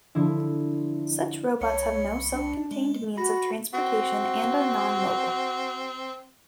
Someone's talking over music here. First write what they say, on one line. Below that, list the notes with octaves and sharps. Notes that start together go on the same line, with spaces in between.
Such robots have no self-contained means of transportation and are non-mobile.
D3 F3 E4
C2 C#5 C#7
D4
G#3
F#4 B5 A#6
C4 F#4